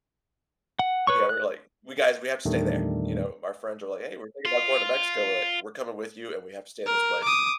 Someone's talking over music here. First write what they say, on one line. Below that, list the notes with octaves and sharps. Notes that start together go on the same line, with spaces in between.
Yeah, we were like we "Guys, we have to stay there," you know? Our friends are like, "Hey, we're thinking about going to Mexico." We're like, "We're coming with you, and we have to stay at this place."
F#5
B4 C#5 C#6
F#6
E2 A#2 D#3 G3 A3 D4
F4
A#4
D6 D#6